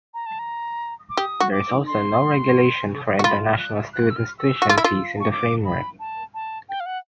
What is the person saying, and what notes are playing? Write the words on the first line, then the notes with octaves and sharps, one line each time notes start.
There is also no regulation for international students tuition fees in the framework.
A#5
A5
A#5
D6
G4 D#6
F#4
D6
C6
F#4
F4 B5
F6
F#6
F#6
E6
F6
E6
F#4
F4
E4
F4
C#6
D6
B5
A5
A5
G5
F5
F#5